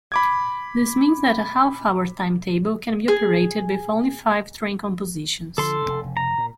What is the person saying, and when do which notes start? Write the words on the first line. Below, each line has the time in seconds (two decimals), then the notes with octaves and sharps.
This means that a half-hour timetable can be operated with only five train compositions.
0.12 B5 D6 G#6
3.08 G#4
5.58 D3 F3 A4 C6
5.82 F1 C#3
6.17 A#5
6.38 A#2